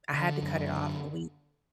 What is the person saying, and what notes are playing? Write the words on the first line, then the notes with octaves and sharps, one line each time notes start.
I had to cut it off. We
D3
F#2
D3